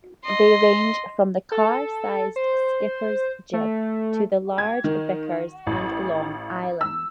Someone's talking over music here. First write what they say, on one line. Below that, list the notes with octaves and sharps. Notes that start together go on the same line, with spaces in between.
They range from the car-sized Skipper's Jib to the larger Vicar's and Long Islands.
D#5 C6
A4
C5
A3
G#6
D#3
A1
E6